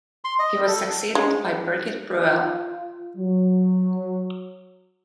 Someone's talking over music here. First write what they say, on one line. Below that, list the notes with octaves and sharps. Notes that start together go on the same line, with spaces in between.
He was succeeded by Birgit Breuel.
C6
D#5
A4
G#3
F4
F#3